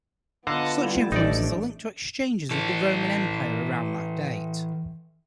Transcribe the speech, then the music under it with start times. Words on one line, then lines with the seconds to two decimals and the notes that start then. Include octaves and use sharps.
Such influences are linked to exchanges with the Roman Empire around that date.
0.47 D3 B3 F4 D#5 F5 F#5 A5 A#5
0.83 G3 E4 A4
1.12 A1 A3 D4 D#4 D5
2.51 E3 A4